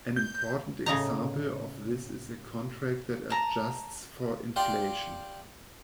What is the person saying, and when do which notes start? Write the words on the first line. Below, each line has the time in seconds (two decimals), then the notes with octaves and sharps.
An important example of this is a contract that adjusts for inflation.
0.16 G6
0.86 A2 C#3 D#4 A#5
3.30 A5 A#5
4.56 F4 G4 D5 G5 C6